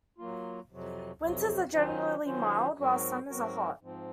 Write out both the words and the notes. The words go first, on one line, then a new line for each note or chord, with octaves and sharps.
Winters are generally mild while summers are hot.
F#3 A#3 F4
F2 C3 F#3
F2 C3 F#3
D#3 F#3 C#4 F4 C5
D#3 F#3 C#4 F4 C5
G#2 F#3 C4 F#4 A#4
G#2 F#3 C4 F#4 A#4
G#2 F3 C4